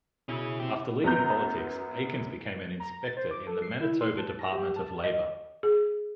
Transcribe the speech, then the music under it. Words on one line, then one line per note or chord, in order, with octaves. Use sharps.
After leaving politics, Aikens became an inspector in the Manitoba Department of Labor.
B2 C#4 E4 G#4
C4 G4
F#2 B3 A#5 G6
A#5
A6
C5
D6
A4
C7
E4
C6
A5
A#6
G4
A5
D#5
G#4